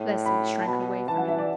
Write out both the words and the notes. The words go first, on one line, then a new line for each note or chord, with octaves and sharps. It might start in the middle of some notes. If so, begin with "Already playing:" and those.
Leslie shrank away from him.
Already playing: A2
B5
A5
B2 B5
E3 A5
F#5
E5
D5